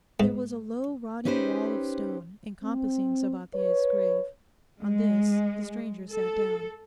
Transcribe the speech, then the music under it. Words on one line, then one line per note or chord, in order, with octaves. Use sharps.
There was a low rotting wall of stone encompassing Sabathier's grave; on this the stranger sat down.
G#2
C#4 D#4 G4 B4 C5
C4
B4 C#5
G#3
A4